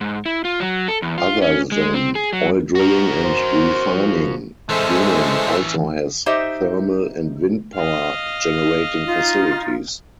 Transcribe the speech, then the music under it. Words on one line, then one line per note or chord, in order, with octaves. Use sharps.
Other than oil drilling and refining, Yumen also has thermal and wind power-generating facilities.
G#2
E4
F4
F#3
A4
E2
F4
C#4
G#3
C4
G#4
F#3
F#4 A#4
C5
F3
E3 G#3 C#4 A4 C5 E5
D#4 G4 C5 D#5 E5
D#5 F5
D#4 F4